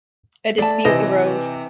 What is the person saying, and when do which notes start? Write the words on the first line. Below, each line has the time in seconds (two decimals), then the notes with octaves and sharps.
A dispute arose.
0.58 A3 D5 A5
0.85 C3 E3 C4 B4 D#5 G#5